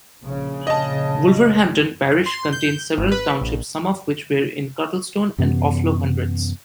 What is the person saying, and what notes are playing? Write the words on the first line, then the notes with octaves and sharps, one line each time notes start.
Wolverhampton parish contained several townships some of which were in Cuttlestone and Offlow Hundreds.
A#1 C#3
D#5 A5
C6
G6
G#1
B4
A#1
F#2 C3 E3 B3